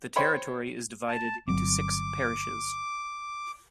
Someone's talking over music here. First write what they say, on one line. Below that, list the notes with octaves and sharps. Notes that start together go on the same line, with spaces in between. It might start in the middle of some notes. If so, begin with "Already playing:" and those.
The territory is divided into six parishes.
C5 C#5 G5 B5 C6
A5
G1 F#3 C4 D6